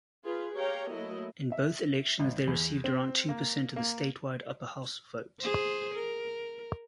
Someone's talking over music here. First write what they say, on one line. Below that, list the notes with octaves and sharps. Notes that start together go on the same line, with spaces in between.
In both elections they received around two percent of the statewide upper house vote.
F4 G#4 B4
G4 C#5 F5 G5 A#5
F#3 A3 A#3 E4 D#5
E5
G#1
E2
C4
A#3
A#3
G#4 C5
A#4